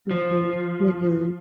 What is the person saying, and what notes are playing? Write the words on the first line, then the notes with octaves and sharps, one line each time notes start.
Mhm, mhm.
F3